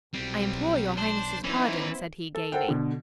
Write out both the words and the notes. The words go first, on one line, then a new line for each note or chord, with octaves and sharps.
"I implore your highness's pardon!" said he gaily.
B1 G3 C4
D4 C5
E3 B3 C#4 D#4 E4 C5
A4
A4 A#4 C5 F#5 G5
B2 D3